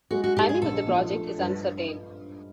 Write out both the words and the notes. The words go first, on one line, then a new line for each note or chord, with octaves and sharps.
Timing of the project is uncertain.
G#3 F#4
F#4
G#2 G4
G#4
A#1 A4
F3
A3
G2